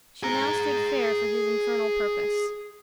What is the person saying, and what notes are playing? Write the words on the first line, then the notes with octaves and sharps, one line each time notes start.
She now stood fair for his infernal purpose.
G#4 A#5